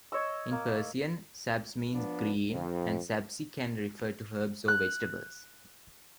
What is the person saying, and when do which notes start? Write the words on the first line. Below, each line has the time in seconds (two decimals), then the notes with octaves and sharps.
In Persian, sabz means green, and sabzi can refer to herbs or vegetables.
0.12 C#5 D#5 E6
0.52 A#3
1.92 F3 B3 D4
2.51 F2
4.68 F#6